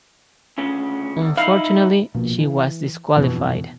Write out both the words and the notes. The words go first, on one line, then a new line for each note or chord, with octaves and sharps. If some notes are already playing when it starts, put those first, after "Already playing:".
Unfortunately she was disqualified.
D2 C#3 C#4
E2
D#4 E4 F5
A#1 B2 A#3
E3
F1 G2 B2 E3